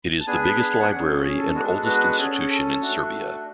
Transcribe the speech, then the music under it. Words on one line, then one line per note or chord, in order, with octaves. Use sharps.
It is the biggest library, and oldest institution in Serbia.
A5
B3 D4 G#4 G#5
B5
B5
A5
F#5
C#4 G#4
G#4
A4
G#3 B3 D4 F#4
B4
C#4 G#4 A4
G#4
A4
A3 D4 F#4